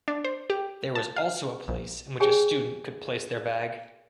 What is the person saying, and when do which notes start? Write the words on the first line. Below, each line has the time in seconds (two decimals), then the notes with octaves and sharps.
There was also a place in which a student could place their bag.
0.08 D4
0.24 C5
0.50 G4
0.95 A5
1.16 F5
1.68 A#1
2.20 G4 G#4 C#5 G5 G#5